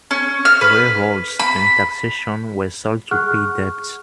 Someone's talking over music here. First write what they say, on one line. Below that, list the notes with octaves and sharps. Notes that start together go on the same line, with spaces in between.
Railroads and taxation were sold to pay debt.
C#4
F6
B4
B5
G#4 F#5 C#6 F6 F#6